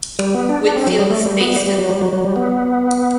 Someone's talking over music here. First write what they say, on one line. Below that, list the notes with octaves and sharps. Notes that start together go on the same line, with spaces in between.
Whitfield is based in London.
G3
B3
D4
D4
C4
F#3
G3
A3
G3
B3
G3
G3
F#3
G3
F#3
F#3
G3
B3